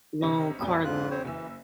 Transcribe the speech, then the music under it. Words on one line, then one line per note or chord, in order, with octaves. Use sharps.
loan car loan,
G1 C3 D#5
B1 F2 A#2 G3
G#2 F4 F#6
C4 C5 C#5
F#1 E3 E6